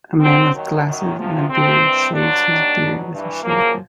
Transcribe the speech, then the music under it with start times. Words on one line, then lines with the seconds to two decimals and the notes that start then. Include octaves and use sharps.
A man with glasses and a beard shaves his beard with a shaver.
0.20 D#2 C#3 F#3 C4
0.53 D#2 D#3 F#3
0.85 F#2 D#3 F#3
1.17 E2 C3 F3
1.49 D2 C3 F3 C4
1.81 G2 E3
2.14 G2 D3 F#3 D4
2.46 D#2 D#3 F#3
2.78 E2 B2 F#3
3.10 G2 E3
3.42 F#2 C#3 F3 A#3